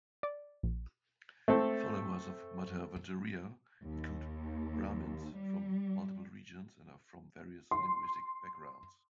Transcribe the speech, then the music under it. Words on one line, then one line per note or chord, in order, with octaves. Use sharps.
Followers of Madhvacharya include Brahmins from multiple regions and are from various linguistic backgrounds.
D5
A#1
A3 C4 A4
D#2
G3
C6